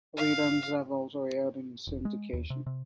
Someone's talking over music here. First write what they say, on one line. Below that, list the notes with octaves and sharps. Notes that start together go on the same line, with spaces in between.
Reruns have also aired in syndication.
F5
E1
G#3
D#2
C3
C3